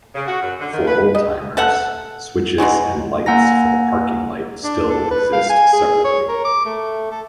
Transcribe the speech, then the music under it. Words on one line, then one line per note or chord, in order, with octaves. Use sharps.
For old-timers, switches and lights for the parking light still exist separately.
C#3
F#4
F#2
D3
D#3
B4
D#5
A4 E5 F#5
B2 F3 F#3 G#3
A#3 F#5 G#5 A#5 A#6
D4
A4
B4
F5
G#5
G#4
C#5
A#4
D6
A3
A4